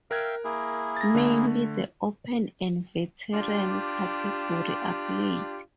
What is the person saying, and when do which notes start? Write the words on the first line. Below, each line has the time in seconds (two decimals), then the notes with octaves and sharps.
Mainly the Open and Veteran category are played.
0.11 A#4 E5 F5 G5 F#6 G#6
0.44 A#3 E4 G#4
0.96 A6 A#6
1.15 D3 A3
3.33 D4 F4 G4